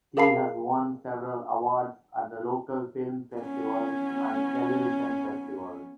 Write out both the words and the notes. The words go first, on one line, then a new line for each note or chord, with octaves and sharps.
She has won several awards at the local film festivals and television festivals.
G#4 A#4 F5 A5 B5 C7
B3 C#4